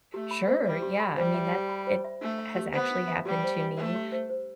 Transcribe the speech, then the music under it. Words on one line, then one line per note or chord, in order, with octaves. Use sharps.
Sure, yeah, I mean, that it has actually happened to me,
A3 G4
B5
C5
G3 E5
G4
B5
G3 C5
E5
G4
B5
C5
E5
A3 D4
E5
G4
B3 C5
D4
E5
G3 G4
C5
D4
A3 E5
G4
C5
C5